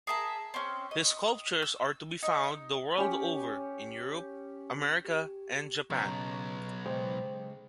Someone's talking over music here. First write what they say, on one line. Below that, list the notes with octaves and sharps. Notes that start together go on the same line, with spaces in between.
His sculptures are to be found the world over, in Europe, America and Japan.
G#4 A#4 E5 A5
C4 C#4
D#5
E6
D#4
C#4 G4
G4
B1 C#3 C#4 A#5 C#6
C#3 G#3 C5 G5 A#5